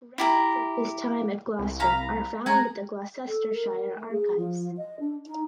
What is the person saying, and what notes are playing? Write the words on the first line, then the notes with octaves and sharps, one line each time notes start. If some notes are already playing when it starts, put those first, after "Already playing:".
Records of his time at Gloster are found at the Gloucestershire Archives.
E4 G4 A#5
C2
F5 A#5 B5
G#3 F#5 G#5 A#5
A4
A#4
A3
G#4
F3
D#5
D4
D#4